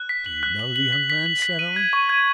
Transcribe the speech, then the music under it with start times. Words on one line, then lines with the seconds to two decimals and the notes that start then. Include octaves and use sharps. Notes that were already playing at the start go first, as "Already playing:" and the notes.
"Do you know the young man?" said I.
Already playing: F#6
0.09 B6
0.26 F#7
0.43 F#6
0.59 F#7
0.76 F#7
0.92 B6
1.10 B6
1.26 F#7
1.42 B6
1.59 D#7
1.76 G#6
1.93 C#6
2.09 G#6